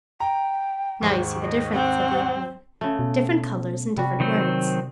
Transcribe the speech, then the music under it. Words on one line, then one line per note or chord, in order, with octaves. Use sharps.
"Now you see the difference," said the old man: "different colours and different words."
G5 A#5
D#2 G#2 D#3
D#5
C4 F#5
C#3 A3
B2
C3 G3 F#4
D#3 F#3 C4